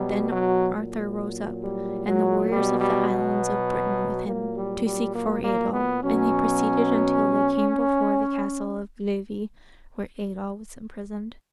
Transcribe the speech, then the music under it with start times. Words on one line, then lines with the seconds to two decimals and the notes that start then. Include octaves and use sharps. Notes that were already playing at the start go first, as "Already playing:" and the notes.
Then Arthur rose up, and the warriors of the Islands of Britain with him, to seek for Eidoel; and they proceeded until they came before the castle of Glivi, where Eidoel was imprisoned.
Already playing: B2 F#3 G3
0.32 F#3
0.76 A#2 F#3
1.63 G3
2.08 F#3
2.52 B2 F#3 G3
2.80 G3
3.10 B3
4.27 A#2 F#3 A#3
4.56 G3
4.86 G3
5.15 A#3
5.44 A#3
5.73 B3
6.03 B2 F#3 C#4